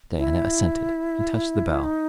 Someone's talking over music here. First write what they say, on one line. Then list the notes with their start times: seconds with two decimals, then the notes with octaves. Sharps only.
Diana assented, and touched the bell.
0.18 E4
1.84 D#4